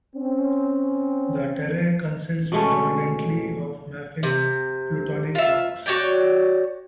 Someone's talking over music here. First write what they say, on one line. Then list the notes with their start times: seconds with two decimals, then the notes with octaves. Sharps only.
The terrae consist dominantly of mafic plutonic rocks.
0.16 C4 C#4
2.52 B2 G#3 A3 C#4
4.23 C3
5.35 F4 E5
5.86 F#4 C#5 D5 G5